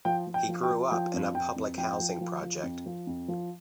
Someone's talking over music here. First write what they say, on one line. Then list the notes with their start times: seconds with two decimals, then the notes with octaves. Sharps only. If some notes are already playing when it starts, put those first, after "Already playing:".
He grew up in a public housing project.
0.05 F3 G5
0.27 F3
0.34 G5
0.49 F3
0.63 G5
0.70 F3
0.92 F3 G5
1.14 F2
1.34 F2 G5
1.56 F2
1.77 F3 G5
2.00 F3
2.21 F3
2.42 F3
2.63 F2
2.86 F3
3.07 F2
3.28 F3